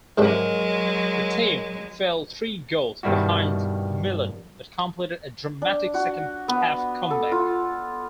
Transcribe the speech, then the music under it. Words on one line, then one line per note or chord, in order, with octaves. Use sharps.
The team fell three goals behind Milan but completed a dramatic second-half comeback.
G#2 C3 F#3 G#3 D4 A#4
G2 B2 D#3 G3 E4 F#4
D4
F#4
B3
A4
F4